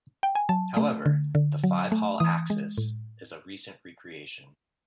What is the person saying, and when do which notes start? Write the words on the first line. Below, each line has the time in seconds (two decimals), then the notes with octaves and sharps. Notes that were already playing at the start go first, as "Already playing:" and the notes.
However, the five-hall axis is a recent recreation.
0.23 G5
0.35 G#5
0.49 F#3 A5
0.77 A3
1.06 D3
1.35 D3
1.64 F#3
1.92 A3
2.20 E3 D#6
2.50 G#3
2.78 A2